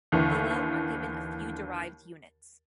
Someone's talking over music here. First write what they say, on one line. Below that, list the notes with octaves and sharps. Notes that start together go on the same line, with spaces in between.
Below are given a few derived units.
D#2 D3 E3